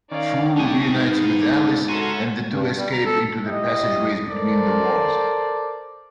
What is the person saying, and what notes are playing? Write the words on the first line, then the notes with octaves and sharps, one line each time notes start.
Fool reunites with Alice and the two escape into the passageways between the walls.
D#3 C#4 D#4 D5 F5
D1 D4 D#4 G4 C#5 G5 G#5
G#2 B3 F5
A3 D5
F#4 A4 C#5 E5 F#5 G#5 A#5 C6
G2
G3
A#5
A4
E4 G4 D#5
A4 A#4 C5 D5